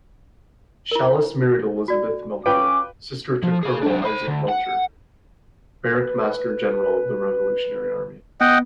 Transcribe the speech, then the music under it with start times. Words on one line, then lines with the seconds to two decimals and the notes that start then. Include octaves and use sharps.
Shallus married Elizabeth Melchor, sister to Colonel Isaac Melcher, Barrack-Master-General of the Revolutionary Army.
0.91 E4 A#4
1.88 F#4 D5
2.46 C#4 F4 B4 G5 D6
3.43 F3
3.63 G#4 F5
3.83 F#3 D4
4.02 C5 B5
4.28 D2
4.49 F#5
5.95 B4
8.41 B3 D#5 F#5 G5